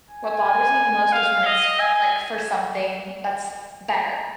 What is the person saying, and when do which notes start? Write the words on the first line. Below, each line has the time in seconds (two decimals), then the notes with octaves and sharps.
what bothers me the most is when it's f like, for something that's better.
0.11 G#5
1.12 F5
1.46 D#5
1.80 G#5